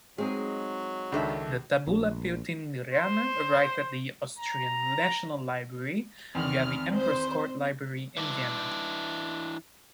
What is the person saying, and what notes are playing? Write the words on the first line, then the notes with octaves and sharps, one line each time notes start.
The "Tabula Peutingeriana" arrived at the Austrian National Library via the Emperor's Court Library in Vienna.
F#3 G#3 C4 D#4 G#4
C#2 D#3 D4 A4 E5
A#1
C5
A#5
E2 D#3 C4 D5 F6
C5
E3 D4